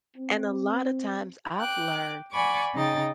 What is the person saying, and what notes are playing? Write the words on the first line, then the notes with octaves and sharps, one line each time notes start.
and a lotta times I've learned
C4
G5 D6 F#6
D5 F#5 G#5 B5 C#6 D6
C#3 D#4 D#5 G5 A6